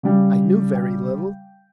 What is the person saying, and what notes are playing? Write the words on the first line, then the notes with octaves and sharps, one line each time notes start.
I knew very little.
C#3 G3
G5